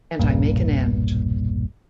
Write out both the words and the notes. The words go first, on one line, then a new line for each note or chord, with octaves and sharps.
And I make an end.
E1 B1 G2 A#2